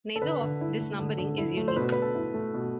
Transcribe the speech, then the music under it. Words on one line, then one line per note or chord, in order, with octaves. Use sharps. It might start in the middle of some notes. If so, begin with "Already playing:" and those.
Neither of this numbering is unique.
A4
D3 B4
D3
E4
A3
D3
D3
E4
A3
C5
B2 B4
B2 B4
A4
E4
A3
B2